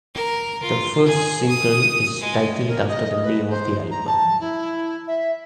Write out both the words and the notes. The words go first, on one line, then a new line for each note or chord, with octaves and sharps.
The first single is titled after the name of the album.
A#4
F4
G#4
D#6
G#3
A#4
D#5
B4
C5
A#5
A5
E4
E5